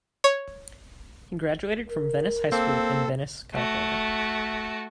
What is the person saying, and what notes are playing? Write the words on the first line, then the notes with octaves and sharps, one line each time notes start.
He graduated from Venice High School in Venice, California.
C#5
A#4
A#3 C4 A4
A3 F#4